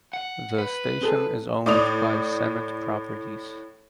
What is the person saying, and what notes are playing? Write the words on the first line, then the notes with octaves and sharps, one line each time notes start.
The station is owned by Senate Properties.
F#5
B4
C4 G#4 A4
A2 D5 D6 D#6 F7